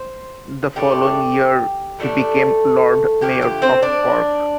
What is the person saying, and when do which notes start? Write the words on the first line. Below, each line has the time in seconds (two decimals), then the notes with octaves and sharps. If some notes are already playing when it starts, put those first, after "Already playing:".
The following year he became Lord Mayor of Cork.
Already playing: C5
0.76 A2 A3 D4 G4
1.99 A2 G3 A3 D4 A4
3.21 D3 F3 A3 G4
3.42 G4
3.62 C4 C5
3.83 D4 D5